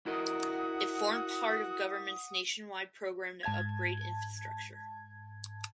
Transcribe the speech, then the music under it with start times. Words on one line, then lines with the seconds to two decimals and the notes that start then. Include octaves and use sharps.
It formed part of government’s nationwide programme to upgrade infrastructure.
0.06 E4 F#4 A#4 D#5 F#5 D#6
3.43 G#2 A5 G#6